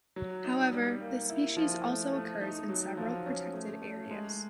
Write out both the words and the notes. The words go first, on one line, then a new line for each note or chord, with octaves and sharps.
However, the species also occurs in several protected areas.
F#3
D#4
G3
A#3
E4
F3
A3
A3
D#4
F#3
F3
C#4
A3
A3
G#3